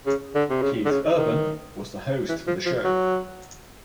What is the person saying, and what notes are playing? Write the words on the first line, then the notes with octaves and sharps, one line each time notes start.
Keith Urban was the host for the show.
C#3
D3
C3
C#3
D3
C#3
D#3
E3
F3
F3
F#3